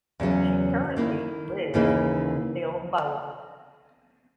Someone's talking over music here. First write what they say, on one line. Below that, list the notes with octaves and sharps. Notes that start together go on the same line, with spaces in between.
She currently lives in Bilbao.
E2 C#3 F#3 C#4
D#3 A#3 E4
D#2 C#3 E3 A#3 D#4